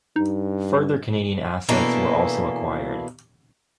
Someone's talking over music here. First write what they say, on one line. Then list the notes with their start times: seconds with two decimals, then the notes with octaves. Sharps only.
Further Canadian assets were also acquired.
0.16 G2 D#4
1.69 B2 E3 A#3 D4 A4